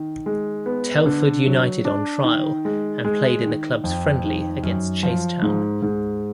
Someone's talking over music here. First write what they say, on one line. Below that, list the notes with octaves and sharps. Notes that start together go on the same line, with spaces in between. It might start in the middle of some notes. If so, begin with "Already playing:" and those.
Telford United on trial and played in the club's friendly against Chasetown.
Already playing: D#3
G#3
B3
D3
F#3
D4
D#3
G#3
G#3
D#3
F2
D#3
F#2
F3
G#2
G#2